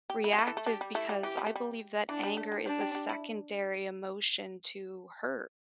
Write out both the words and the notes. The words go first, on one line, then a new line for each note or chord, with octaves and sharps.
reactive, because I believe that anger is a secondary emotion to hurt,
G4
E4
G4
E4 A4
E3
A3
D4 G4
G3
A3 E4
G3
E3 G4
G3
A3
G3
E3 D4
G3
A3
G3
G3 D4
G4
G4
E4